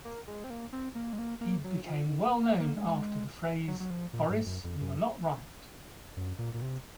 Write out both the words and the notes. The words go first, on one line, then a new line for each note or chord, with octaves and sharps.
He became well known after the phrase Boris, you are not right!
A#3
G#3
C4
A#3
C4
A#3
G#3
A#3
A#3
F#3
F3
D#3
A#3
A#3
A#3
G#3
F#3
F#3
F3
A#2
G#2
F#2
F2
F#2
F#2
A#2
A#2
C3